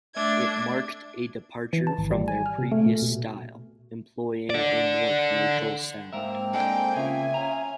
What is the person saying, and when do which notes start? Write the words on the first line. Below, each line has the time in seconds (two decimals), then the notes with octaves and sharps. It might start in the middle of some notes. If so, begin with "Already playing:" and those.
It marked a departure from their previous style, employing a more commercial sound.
0.14 A3 D4 E5 G#6
1.73 E3
1.87 A5
1.98 G#1
2.11 G3
2.28 G#5
2.46 F6
2.58 C3
2.72 A3
2.86 A#2
3.02 B2
4.50 A4 D5
6.13 G#2 A#3 C4 A#4 E5
6.54 G#3 D4 A4 G5
6.96 C#3 F4 E5 G#5
7.34 C#4 A#5